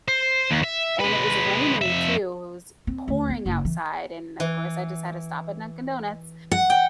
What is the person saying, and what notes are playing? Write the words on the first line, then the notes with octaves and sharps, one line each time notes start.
and it was raining too, it was pouring outside, and of course, I just had to stop at Dunkin' Donuts,
C5
D#2
E5
G#3 B4
F2 E5
C4
D2
B3
F#1
E3
E3
F#5
G5